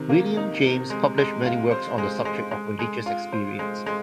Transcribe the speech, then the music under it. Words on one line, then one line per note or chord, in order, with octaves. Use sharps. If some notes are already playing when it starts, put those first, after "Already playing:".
William James published many works on the subject of religious experience.
Already playing: C3 D#3
A#3
D#4
C3
G#3
G#3
F4
C5
G#3
G#3
G#3
G#3
F4
C5
G#3
G#3